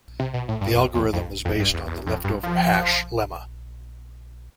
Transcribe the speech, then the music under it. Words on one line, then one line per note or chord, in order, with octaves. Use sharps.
The algorithm is based on the leftover hash lemma.
C3
B2
A2
G2
F2
E2
F2
F2
G2
E2
E2
F2
G2
F3